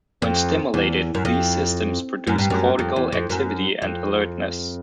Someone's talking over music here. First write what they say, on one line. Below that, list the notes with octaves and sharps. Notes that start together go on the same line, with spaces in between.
When stimulated, these systems produce cortical activity and alertness.
F2
E2
F#2
F2
F#2
G2
F#2
F2
E2
F2
F#2
F2